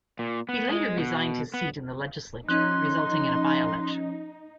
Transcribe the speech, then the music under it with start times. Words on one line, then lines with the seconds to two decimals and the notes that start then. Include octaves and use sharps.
He later resigned his seat in the legislature, resulting in a by-election.
0.19 A#2
0.49 B3
0.69 G#3
0.98 B2
1.54 B3
2.49 F3 C#4 D#4 C6 F#6